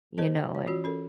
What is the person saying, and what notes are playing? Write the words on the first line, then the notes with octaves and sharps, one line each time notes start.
you know, and,
G#4 A#4 C5 D#5 A5
G5
C#5
E3 C#4 F4 F#4 C#5
C#4 A4 A#4